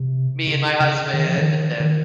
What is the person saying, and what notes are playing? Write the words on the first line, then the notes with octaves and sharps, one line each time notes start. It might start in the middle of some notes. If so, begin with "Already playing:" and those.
me and my husband, and then,
Already playing: C3
C#3
C#3
D#3
F3
D#3
D#3